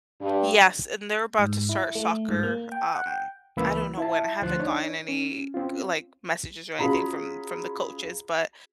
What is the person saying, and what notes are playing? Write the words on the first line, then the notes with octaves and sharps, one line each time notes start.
Yes, and they're about to start soccer, um I don't know when. I haven't gotten any g like, messages or anything from from the coaches, but
G2
G#2
E4
A3
G#2
A#3
G5
F#5
G5
C#2 E3 A#3 B4 B5 E6
E4 E5 A5
D2 F3 C5 F#6 A6
D4 D#4 C#5
C#4
C4 C#4 F4
C#4 F4 F#4 G#4 A#5 B5